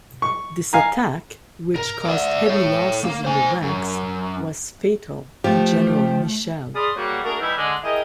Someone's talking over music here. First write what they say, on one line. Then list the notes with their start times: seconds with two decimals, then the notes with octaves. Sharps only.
This attack, which caused heavy losses in the ranks, was fatal to General Michel.
0.22 C#6
0.73 F5 G#5 A#5
1.75 A#4
2.05 D5 E5
2.46 A4 C#5
3.04 A#3
3.24 C5 G#5
3.64 F#2
5.44 F3 A3 G4
6.74 G#4 D5 B5 C6 D#6 F6
6.95 C#3 G3 A#3 F#4
7.23 A3 D4 F#4 G#4 A#4
7.40 E3 G3 D#4 E4
7.56 D3 G#3
7.84 E4 G4 G#4 A#4 D#5